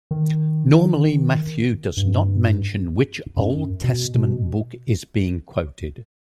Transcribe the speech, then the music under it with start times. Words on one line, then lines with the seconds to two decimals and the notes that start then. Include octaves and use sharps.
Normally Matthew does not mention which Old Testament book is being quoted.
0.11 D#3
1.97 G2
3.37 F#2
3.84 B2
4.15 B2